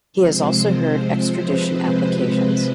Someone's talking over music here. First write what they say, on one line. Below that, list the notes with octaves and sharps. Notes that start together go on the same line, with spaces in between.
He has also heard extradition applications.
C3 F3 G#3 C4 C5
B4